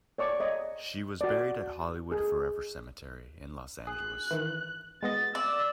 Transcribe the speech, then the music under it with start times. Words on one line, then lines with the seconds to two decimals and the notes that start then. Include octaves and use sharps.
She was buried at Hollywood Forever Cemetery in Los Angeles.
0.18 C#5 D5 C#6 D6
0.40 C#5 D#5
1.21 F#4 D5
2.12 G#4
3.87 G#4 F#6
4.31 D#3 E3
5.03 G#3 B3 D#5 A6
5.35 D5 E6